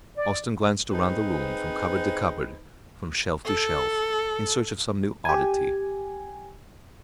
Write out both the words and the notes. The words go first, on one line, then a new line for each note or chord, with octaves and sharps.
Austin glanced around the room from cupboard to cupboard, from shelf to shelf, in search of some new oddity.
D5
C4 D#4 G#4 B4 C5
A4
G4 G#5